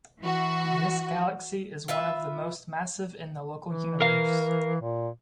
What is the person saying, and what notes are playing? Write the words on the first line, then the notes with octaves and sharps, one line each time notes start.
This galaxy is one of the most massive in the local Universe.
E3 F#4
F4 B4 E5
E3
A#4 F5
A#2